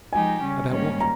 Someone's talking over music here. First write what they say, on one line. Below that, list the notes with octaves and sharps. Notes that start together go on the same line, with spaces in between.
"About what?"
F3 G#3 D#4 G4 G#5
C#3 G3 C#4
G#2 D#3 G3 A#3 C#4
A#5